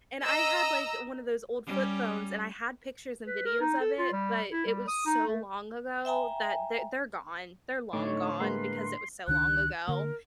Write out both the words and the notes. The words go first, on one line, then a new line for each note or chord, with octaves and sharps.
and I had like one of those old flip phones, and I had pictures and videos of it, but it was so long ago that the they're gone they're long gone because it was so long ago.
D#5 A#5 E6
G3 C#4
B4
A#4
D#4
A4
F4
G3
E4
G3
D#6
D#4
A3
E5 G5 G#5 A#5
A2 D3 A3 D#4 C#5 D6
G#3 A#3 A#4 B4 B5 C6
C#2 D#3 D4 F#6
D3 A#3 A#4